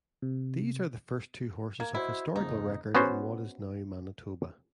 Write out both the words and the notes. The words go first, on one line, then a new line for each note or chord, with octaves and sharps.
These are the first two horses of historical record in what is now Manitoba.
C3
A#3 G#6
E4 F#4 C5 D#5
F#1 F2 D#4
B3 C#4 F#4 C5